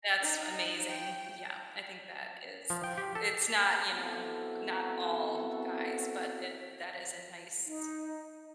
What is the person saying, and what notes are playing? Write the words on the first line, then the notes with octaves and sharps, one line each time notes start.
That's amazing, yeah, I think that is it's not, you know, not all guys, but it that is a nice
D#4
G5
F3
G5
G4
A4
B3 C4 E4 F#4 A4
D#4